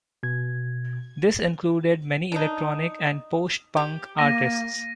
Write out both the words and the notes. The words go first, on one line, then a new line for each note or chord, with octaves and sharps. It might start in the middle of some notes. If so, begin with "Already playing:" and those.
This included many electronic and post-punk artists.
B2 G#6
D4 D#4
G4
A#3 A#6 D#7